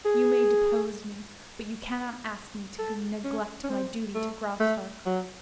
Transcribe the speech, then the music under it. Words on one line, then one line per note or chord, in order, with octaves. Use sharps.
You may depose me, but you cannot ask me to neglect my duty to Graustark.
G#4
A4
C#4
C#4
C4
A3
A3
F#3